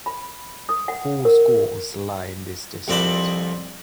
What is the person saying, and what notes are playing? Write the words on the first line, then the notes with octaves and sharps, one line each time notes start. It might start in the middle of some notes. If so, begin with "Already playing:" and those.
Four schools lie in this district.
B5
D#6
F#5
A#4
C2 F2 C4 D4 A5 B5